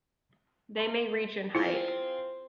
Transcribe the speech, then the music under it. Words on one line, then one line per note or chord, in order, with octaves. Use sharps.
They may reach in height.
C6
C4 E4 F4 G#4